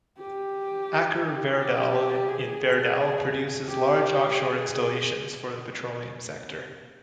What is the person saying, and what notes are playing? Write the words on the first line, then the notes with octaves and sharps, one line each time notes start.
Aker Verdal in Verdal produces large offshore installations for the petroleum sector.
G4
G4
G#4
G4
G#4